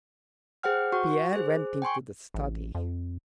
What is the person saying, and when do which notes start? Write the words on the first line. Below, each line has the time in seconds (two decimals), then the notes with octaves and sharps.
Pierre went into the study.
0.63 G#4 C5 F#5 G5 F6
0.92 F#4 F#5 C#6
1.33 G#4 C5
1.82 G5 G#5 C6 C#6
2.34 A1
2.75 F2